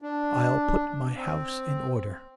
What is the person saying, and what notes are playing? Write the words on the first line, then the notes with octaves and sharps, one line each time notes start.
I'll put my house in order.'
D4
C4